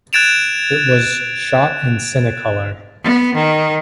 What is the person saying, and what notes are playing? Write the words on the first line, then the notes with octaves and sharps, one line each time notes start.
It was shot in Cinecolor.
F#6 G#6 A6 D7 E7 F7
B3
D#3